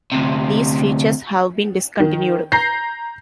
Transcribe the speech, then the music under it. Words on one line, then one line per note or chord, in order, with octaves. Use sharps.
These features have been discontinued.
D2 C3
D#3
A#5 G6 A#6 C7